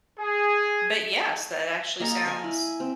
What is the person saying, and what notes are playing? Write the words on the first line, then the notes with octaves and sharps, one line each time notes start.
But, yes, that actually sounds
G#4
A#3 A4 D#5 A#5
F5 G#5
E4
C4